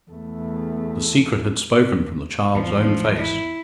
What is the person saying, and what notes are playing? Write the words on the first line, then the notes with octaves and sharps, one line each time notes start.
The secret had spoken from the child's own face.
E2 A3
G#1 E2 F3
E4